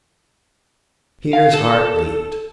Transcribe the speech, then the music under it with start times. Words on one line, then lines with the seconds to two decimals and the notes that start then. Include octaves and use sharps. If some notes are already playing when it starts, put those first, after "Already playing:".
Peter's heart leaped.
1.33 F5
1.53 A4